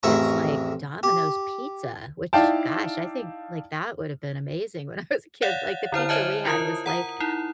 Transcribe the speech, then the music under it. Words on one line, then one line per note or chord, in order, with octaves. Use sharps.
gets like Domino's pizza, which, gosh, I think like that would've been amazing when I was a kid. Like, the pizza we had was like
A1 F2 E4 G#4 A#5 C#6
G4
D#4 E4 D5 F5 G5 A5
C#5 D5 F5 F#5 F#6 A6
D3 E4 C5 F6
C5 C#5 D#5 E5 G#5 A5
E4 F4 A#4 A5 D#6
F#5 A#5 D#6
D#4 E4